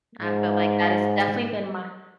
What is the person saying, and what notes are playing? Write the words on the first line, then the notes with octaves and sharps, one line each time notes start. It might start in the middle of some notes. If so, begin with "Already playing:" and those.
I feel like that has definitely been my
G#2